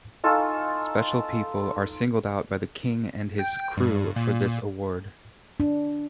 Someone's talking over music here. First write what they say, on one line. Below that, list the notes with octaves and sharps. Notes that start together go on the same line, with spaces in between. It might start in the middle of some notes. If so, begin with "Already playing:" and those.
Special people are singled out by the king and his "Krewe" for this award.
D#4 F4 A4 D#5 G#5 C#6
G5
G2
A#2
D4